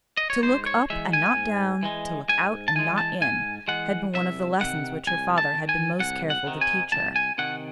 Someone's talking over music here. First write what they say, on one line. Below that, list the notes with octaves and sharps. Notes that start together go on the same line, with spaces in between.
"To look up and not down, to look out and not in," had been one of the lessons which her father had been most careful to teach her.
D#5
C#5
G#2 C5
C#5
E3 G#3 E5
G#5
G#2
E3 G#3
G#2 G#5
A5
E3 G#3 G#5
A5
G#2 G#5
E3 G#3 F#5
C2 E5
C3 D#3 F#5
C2 G#5
A5
C3
D#3
G#5
C2 F#5
F#5
C3 D#3
G#5
C2 A5
G#5
C3 D#3 F#5